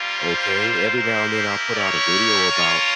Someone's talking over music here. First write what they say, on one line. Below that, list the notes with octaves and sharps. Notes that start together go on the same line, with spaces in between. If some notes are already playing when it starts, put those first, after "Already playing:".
Okay? Every now and then, I'll put out a video about
Already playing: G3 A#3 F4
C5
A#3 E4 G4
C#5
A#3 C#4 F4